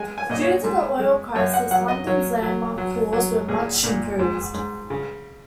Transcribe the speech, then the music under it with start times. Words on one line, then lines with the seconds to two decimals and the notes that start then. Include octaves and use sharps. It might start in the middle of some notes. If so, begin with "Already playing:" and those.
Due to the oil crisis London's landmark halls were much improved.
Already playing: G#3 G#5
0.18 G#5
0.30 A#2 D#5
0.41 C#5
0.64 G#2
0.99 G#3
1.35 F#2 C#5
1.54 F#5
1.71 F#3 F#5
1.88 D#5
2.07 F#3 C#5
2.42 F#3
2.78 F#3
3.13 F#3
3.49 A#2 G#4
3.83 A#2
4.19 G#2
4.54 G#2
4.90 C#3